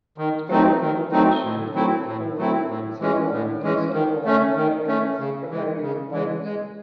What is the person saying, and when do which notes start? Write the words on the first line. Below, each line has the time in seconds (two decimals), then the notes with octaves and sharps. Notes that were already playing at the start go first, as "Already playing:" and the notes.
Experimental evolution has been performed on multicellular and unicellular eukaryotes, prokaryotes, and viruses.
0.18 D#3
0.49 F#3 A3 C4 D#4
0.81 D#3
1.12 F#3 A3 C4 D#4
1.44 A2
1.74 F#3 A3 C4 E4
2.06 A2
2.38 F#3 A3 C4 E4
2.69 A2
3.00 E3 G#3 C#4
3.32 A2
3.63 E3 G#3 C#4
3.93 D#3
4.25 A3 C#4
4.56 D#3
4.87 A3 C#4
5.19 C#3
5.50 E3 G#3
5.81 C#3
6.12 E3 G#3
6.44 G#3